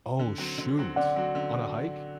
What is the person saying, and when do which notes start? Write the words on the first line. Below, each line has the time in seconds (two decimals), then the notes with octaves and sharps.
Oh, shoot. On a hike?
0.19 D3
0.38 F#3 C4 F#4
0.58 D3
0.78 F#3 C4 F#4
0.96 D3 D5 F#5
1.16 F#3 C4 F#4
1.35 D3